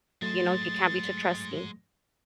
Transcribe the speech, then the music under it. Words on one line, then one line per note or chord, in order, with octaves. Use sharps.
you know, you can't be too trusting.
F#3 G#3 A3 C5 A6